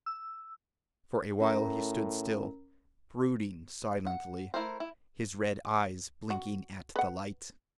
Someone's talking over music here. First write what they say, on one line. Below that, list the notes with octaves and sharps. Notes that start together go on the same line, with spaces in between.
For a while he stood still, brooding silently, his red eyes blinking at the light.
E6
A2 C#4 A#4 A#5
F#5
A3 E4 A#4 C5
E4
F#4
B4 F#5